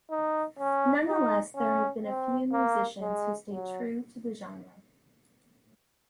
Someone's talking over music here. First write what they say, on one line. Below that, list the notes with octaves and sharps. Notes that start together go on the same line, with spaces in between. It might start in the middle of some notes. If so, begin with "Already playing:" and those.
Nonetheless, there have been a few musicians who stay true to the genre.
D#4
C#4
D#4
C#4
C4
A#3
G#3
F#3